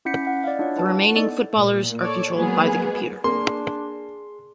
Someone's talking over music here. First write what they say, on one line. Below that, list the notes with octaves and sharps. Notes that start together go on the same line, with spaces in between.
The remaining footballers are controlled by the computer.
C#4 E4 F#5 G6 B6 C#7
F#5
D5 D#5 F5
D4 E4 F4 C#5 F#5
E4 B4 A5
B3 D#4 A4 D5 D#5
A#2
A4 C#5 D5
F#3 G#3 A#3 B3 G#4
A#3 D4 G#4 C6